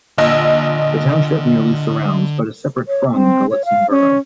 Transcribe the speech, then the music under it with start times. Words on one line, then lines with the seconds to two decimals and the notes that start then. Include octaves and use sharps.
The township nearly surrounds but is separate from Gallitzin borough.
0.18 A#1 D3 D#5 E6
2.88 C#5
3.14 C4
3.50 C#5
3.65 F5
3.91 C#4